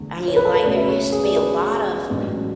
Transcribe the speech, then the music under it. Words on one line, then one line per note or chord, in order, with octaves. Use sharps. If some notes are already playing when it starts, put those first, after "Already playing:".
I mean, like, there used to be a lot of
Already playing: E1 E2 D3 A3 D4
C#5
B4
A4
B4
C#2 B2 A3 C#4 D5
E5
C#5
G#4
D5
B4
A1 G#2 F#3 B3 D4